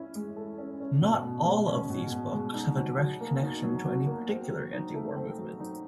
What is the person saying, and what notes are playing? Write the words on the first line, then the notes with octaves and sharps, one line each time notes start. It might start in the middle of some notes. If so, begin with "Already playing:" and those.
Not all of these books have a direct connection to any particular anti-war movement.
Already playing: C#4 E4
G#3
A4
C#4
C#4
B2
B2
G#3
C#4
B2
B2
G#3
D#4
F#3
F#4
A#3
D#4
F#3
F#4
A#3
C4
F#3
D#4
A3
C4
F#3
D#4